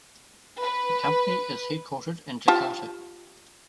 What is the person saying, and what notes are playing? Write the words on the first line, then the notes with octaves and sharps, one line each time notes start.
The company is headquartered in Jakarta.
B4
F4 G4 A5